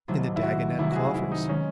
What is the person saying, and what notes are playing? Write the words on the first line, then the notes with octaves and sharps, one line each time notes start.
In the Dagonet coffers?
C2 C3 D#3 F#3 A3 E4
E4
F#4
C2 C3 D#3 F#3 A3 E4
F#4
G#4
E4
D#4
D#3 G#3 C#4